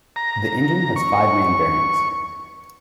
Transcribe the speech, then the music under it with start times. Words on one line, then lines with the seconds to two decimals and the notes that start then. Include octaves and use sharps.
The engine has five main bearings.
0.16 A#5
0.96 C#6